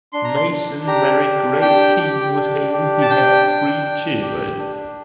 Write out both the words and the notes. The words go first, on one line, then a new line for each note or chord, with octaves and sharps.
Mason married Grace Keen, with whom he had three children.
D4 C6
A#5
C6
D4
G4 A#5
D4
G4 G5
G4
D4
G4
A5
D4 G5
D4
D4
G4
D4